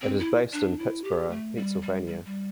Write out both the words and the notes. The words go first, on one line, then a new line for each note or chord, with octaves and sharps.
It is based in Pittsburgh, Pennsylvania.
C4
E4
D4
E4
G4
A3
G3
G3
G3
G3